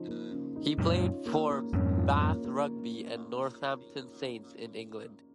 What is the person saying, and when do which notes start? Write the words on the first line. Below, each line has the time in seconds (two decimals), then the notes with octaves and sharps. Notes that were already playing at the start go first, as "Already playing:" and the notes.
He played for Bath Rugby and Northampton Saints in England.
Already playing: C#3 F3 D#4
0.08 A#3
0.31 C#3
0.56 D#4
0.78 F#2 A#2 C#4
1.02 F4
1.26 A#3
1.50 A#3
1.73 F2 G#2 C#4
1.97 F4
2.21 A#3
2.44 A#3